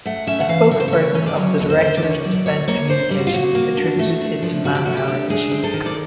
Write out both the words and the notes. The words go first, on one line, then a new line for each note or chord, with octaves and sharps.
A spokesperson of the Directorate of Defense Communications attributed it to manpower issues.
A3 F#5
C#4 E5
F#5
E3 F5
C#3 C#5
C5
A3 C#5
C#4
D5
F#3 C#5
D#2 C#5
C5
D3
D5
D#2 C#5
F#3 D5
D#2 C#5
A#3 C#5
D4 C5
G3 G4
F#4
F4
A#2 F#4
A#3
D4
A3
D4
F3
C3 F#4
G4
A3 F#4
G4
D4
G#3 G#4
C4
A4
D#3
D5